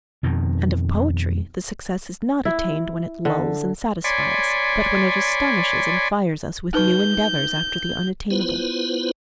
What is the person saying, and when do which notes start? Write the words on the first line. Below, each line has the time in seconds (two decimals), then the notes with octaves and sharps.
And of poetry the success is not attained when it lulls and satisfies, but when it astonishes and fires us with new endeavors after the unattainable.
0.23 F2 B2 D#3
2.45 E4
3.25 D3
4.04 C#5 D5 G#5 B5 C6
6.74 D#4 B4 C#6 G6
8.30 B3 E4 F4 B4 C5